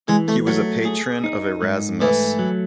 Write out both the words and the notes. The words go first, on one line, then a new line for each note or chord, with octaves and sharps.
He was a patron of Erasmus.
E3 G#3
A3
F#3 A3
G#4
D#4
G#2
E3 A3
F#3